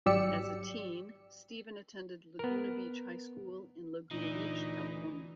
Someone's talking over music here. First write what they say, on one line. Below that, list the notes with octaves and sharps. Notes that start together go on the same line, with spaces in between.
As a teen, Stephen attended Laguna Beach High School in Laguna Beach, California.
G#1 F#3 G4 D5 E6 C#7
B3 A#4
D2 A#2 E3 D#4